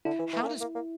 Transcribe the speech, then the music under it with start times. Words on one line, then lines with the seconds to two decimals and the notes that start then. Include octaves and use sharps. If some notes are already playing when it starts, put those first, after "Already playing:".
how does
0.05 D3 E4
0.19 E3
0.33 E3
0.42 A3
0.47 A#3
0.61 A#3
0.75 A#3